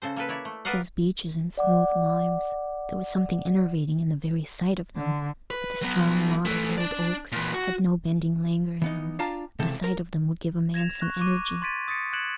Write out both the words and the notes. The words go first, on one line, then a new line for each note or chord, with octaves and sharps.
Those beeches and smooth limes--there was something enervating in the very sight of them; but the strong knotted old oaks had no bending languor in them--the sight of them would give a man some energy.
C#3 A4 C5
A#3 A4 B4
E4 C#5 D5
A3
A#4 B4 D5 D#5 F5 F#5
D5 F#5 D6
D3
B4
F#3 B3
E3 A3
D4 D5
A#2 E3
F#4
E3 B3 D#4
D4 F4 F5 G5 A5 A#5
C#2 C3 E3 A4 G5
A#4
G#6 A#6 E7 F7
C#6 F#6 A#6
C#6 D6 D#7
C6 G#6 A6 B6 D7 D#7
D#6 A6 B6 C#7 D7
F#6 G#6 C#7 D7 E7 F#7